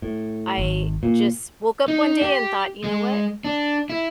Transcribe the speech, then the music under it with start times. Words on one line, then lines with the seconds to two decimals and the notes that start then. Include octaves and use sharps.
I just woke up one day and thought, "You know what?"
0.02 A2
0.58 G#1
1.03 A#2
1.88 D#4
2.22 G4
2.84 G#3
3.44 D4
3.90 E4